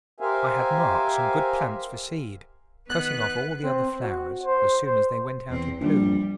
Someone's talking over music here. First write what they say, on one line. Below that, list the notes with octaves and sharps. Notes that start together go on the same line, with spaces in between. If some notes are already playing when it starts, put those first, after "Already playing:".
I had marked some good plants for seed, cutting off all the other flowers as soon as they went out of bloom.
G4 A#4 C5 E5 F5 G#5
D#3 B3 B4 F#6
C4
F#4
C5
C5
E2 C4
A#1 G3